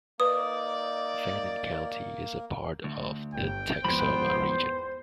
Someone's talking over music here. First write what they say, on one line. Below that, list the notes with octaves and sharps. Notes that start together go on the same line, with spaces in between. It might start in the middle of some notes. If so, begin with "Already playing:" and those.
Fannin County is a part of the Texoma region.
A#3 D#4 B4 D5 D#6
D2
G1 G5
E2 G#2 F3 B3 C5 B5